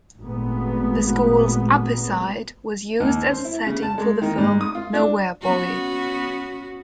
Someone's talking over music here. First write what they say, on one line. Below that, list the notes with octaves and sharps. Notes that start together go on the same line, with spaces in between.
The school's Upper Site was used as a setting for the film "Nowhere Boy".
G#1 A#2 A3 B3
D#2
C5
E4
C#3
A5
G#3
D#3
G#2
D#6
F4
D4
B3 C#4 F#4